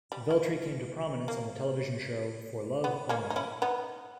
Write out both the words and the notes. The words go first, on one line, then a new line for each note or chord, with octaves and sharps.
Veltri came to prominence on the television show, "For Love or Money".
G3
A#3
A#3
B3
A#3 C#4
D#4
C#4 E4
B3 D#4